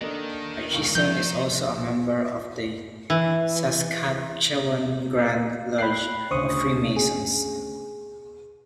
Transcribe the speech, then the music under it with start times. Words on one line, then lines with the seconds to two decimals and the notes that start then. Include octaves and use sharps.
Atchison is also a member of the Saskatchewan Grand Lodge of Freemasons.
0.02 D#3 A#3 D4 A4 D#5
0.71 E1 C#2 C#6
0.95 C3 F3 E5 G6
3.10 E3
5.78 G5 B5 F#6 C7
6.31 D2 C#3 C5 C#6 D#6
6.96 G#4